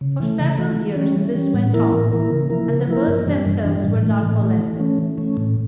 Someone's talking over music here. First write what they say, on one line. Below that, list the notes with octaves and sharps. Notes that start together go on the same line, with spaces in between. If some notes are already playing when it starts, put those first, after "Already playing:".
For several years this went on, and the birds themselves were not molested.
C#3
E3 A3
C#3
E3 A3
E3
G3 C#4
E3
G3 C#4
A2
E3 A#3 E4 A#4
A2
E3 A#3 E4 A#4
C#3
F3 A#3 E4 A#4
C#3
F3 A#3 E4 A#4
G2
E3 G3 D4
G2
E3 G3 D4
A2
E3 A3
A2
E3 A3
E3
A3 C#4
E3
A3 C#4
A2